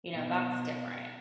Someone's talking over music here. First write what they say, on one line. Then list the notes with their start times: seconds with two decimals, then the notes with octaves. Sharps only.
You know, that's different.
0.13 B2